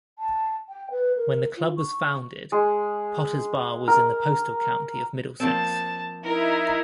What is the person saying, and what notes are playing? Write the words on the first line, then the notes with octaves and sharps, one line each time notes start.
When the club was founded, Potters Bar was in the postal county of Middlesex.
A5
G5
B4
A#4
F4
C#6
G#3
A#4
F3 A#3 C4 A5
D#4 E4 A#4